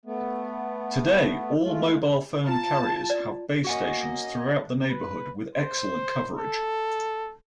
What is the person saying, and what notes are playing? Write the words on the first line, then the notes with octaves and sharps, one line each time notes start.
Today, all mobile phone carriers have base stations throughout the neighbourhood, with excellent coverage.
A3 B3
G#3 A3 F4
F4 A5 A#5 F6
D5
A#3 C#4 F#4 D#5 F#5 G#5
B4
C5
A4